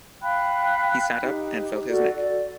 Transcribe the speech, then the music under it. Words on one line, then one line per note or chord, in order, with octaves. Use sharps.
He sat up and felt his neck.
F5 G5 B5 F#6
D#4 G4
F#4 A4 D5
D5